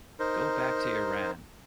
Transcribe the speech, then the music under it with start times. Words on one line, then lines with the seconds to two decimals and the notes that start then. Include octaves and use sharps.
Go back to Iran!
0.19 D#4 A#4 C5